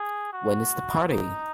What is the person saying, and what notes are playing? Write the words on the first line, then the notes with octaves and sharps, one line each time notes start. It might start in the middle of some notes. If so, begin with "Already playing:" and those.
When is the party?
Already playing: G#4
F#4
D#4